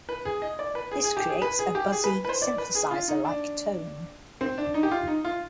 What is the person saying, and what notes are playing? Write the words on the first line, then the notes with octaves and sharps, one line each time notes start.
This creates a buzzy synthesizer like tone.
B4
G#4
D#5
D5
B4
G#4
G#4
G4
G#4
B4
G#4
G4
G#4
B4
B4
C5
D5
B4
G#4
F4
D#4
D4
C4
D4
D#4
G4
F4
D#4
F4